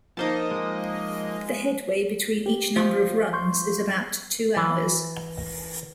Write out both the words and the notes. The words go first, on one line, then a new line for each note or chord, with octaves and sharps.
The headway between each number of runs is about two hours.
F3 A#3 D#4 C5 D#5 A5
G#3
G4
F3
C6 C#6 G6
E3